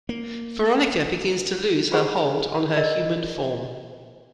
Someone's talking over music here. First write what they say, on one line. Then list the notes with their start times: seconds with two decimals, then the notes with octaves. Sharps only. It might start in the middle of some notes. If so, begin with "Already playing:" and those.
Veronica begins to lose her hold on her human form.
0.09 A#3
1.91 F4 G4 G#4 C5 F#5
2.76 A#4 D5 D#5